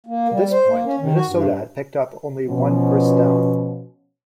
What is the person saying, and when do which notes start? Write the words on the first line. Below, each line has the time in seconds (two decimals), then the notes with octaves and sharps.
To this point, Minnesota had picked up only one first down.
0.06 A#3
0.31 G3
0.51 C5
0.68 A#3
0.85 C#4
0.99 D#3
1.15 F#4
1.27 G2
2.48 B2 F3 C#4